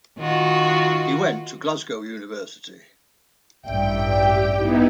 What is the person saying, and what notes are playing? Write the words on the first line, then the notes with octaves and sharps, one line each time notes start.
He went to Glasgow University.
D#3 F4 F#4
A1 G2 D5 E5 G5
G4
B3 D#4 E4